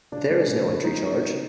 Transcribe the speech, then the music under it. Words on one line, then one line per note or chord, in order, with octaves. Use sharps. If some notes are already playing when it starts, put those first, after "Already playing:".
There is no entry charge.
C#3 D4
G#3
C#3
F3
G#3 D#4
C#3
C#3